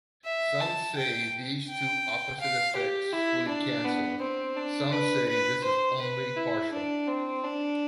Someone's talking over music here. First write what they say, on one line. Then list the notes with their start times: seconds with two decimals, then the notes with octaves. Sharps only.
Some say these two opposite effects fully cancel, some say this is only partial.
0.25 E5
0.61 A5
0.97 G5
1.69 G5
2.40 F5
2.77 G4
3.13 E4
3.49 D4
3.85 B3
4.21 C4
4.57 D4
4.92 B4
5.29 B4
5.64 C5
6.01 B4
6.36 E4
6.73 D4
7.08 C4
7.44 D4